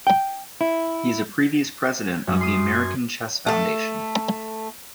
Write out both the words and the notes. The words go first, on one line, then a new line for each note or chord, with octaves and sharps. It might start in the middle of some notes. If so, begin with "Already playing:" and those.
He is a previous President of the American Chess Foundation.
G5
E4
F#2
C6 D#6
G#6
A3 A4